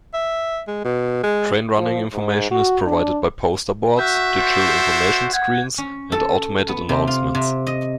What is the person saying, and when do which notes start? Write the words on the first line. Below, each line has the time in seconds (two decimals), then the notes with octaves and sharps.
Train running information is provided by poster boards, digital information screens and automated announcements.
0.13 E5
0.67 G#3
0.84 B2
1.23 G#3
1.78 F3
2.13 G#2
2.51 F#4
2.86 D4
3.99 F#4 E5 F#6 G6
4.37 A#3 A4 C5
5.34 F#5 G#6
5.78 C#4
6.12 A4
6.68 B3
6.89 C3
7.07 F4
7.35 C3
7.67 D#5